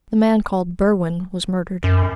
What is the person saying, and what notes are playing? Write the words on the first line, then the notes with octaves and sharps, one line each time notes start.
"The man called Berwin was murdered."
F#2